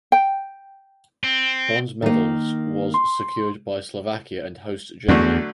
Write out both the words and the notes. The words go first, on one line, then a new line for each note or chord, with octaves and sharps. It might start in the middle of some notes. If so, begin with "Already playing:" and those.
Bronze medals was secured by Slovakia and host Germany.
G5
C4
D#3 A#3
C6
E2 D3 F#3 A3